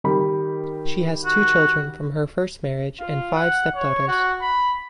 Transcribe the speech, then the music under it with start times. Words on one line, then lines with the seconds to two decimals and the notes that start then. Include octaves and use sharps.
She has two children from her first marriage and five stepdaughters.
0.04 D#3 G3 B5
1.25 F#4
3.00 F4
3.35 F#5
3.76 C#5
4.08 F#4
4.41 B5